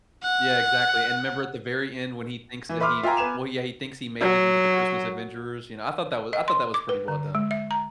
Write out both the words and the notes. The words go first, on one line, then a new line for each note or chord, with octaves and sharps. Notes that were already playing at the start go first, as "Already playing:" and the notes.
Yeah, exactly, and 'member at the very end when he thinks that he well, yeah, he thinks he made it into the Christmas Adventurers, you know? I thought that was I thought that was pretty well done.
F#5
E3
B4 E5 C6 D6 F6
F4 E5 G5 G#5 A#5
B3 B4 G#5 E7 F7
F#3
D#5
C6
D6
B4
D3
G#3
E5
A#5